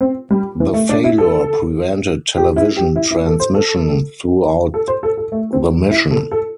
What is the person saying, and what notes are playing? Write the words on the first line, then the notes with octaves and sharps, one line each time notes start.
The failure prevented television transmission throughout the mission.
C4
G3
E3
A3
D4
E4
A4
G4
E4
G4
E4
E4
A4
C5
A4
A4
C5
A4
A4
A3
C4
E4
A4
A4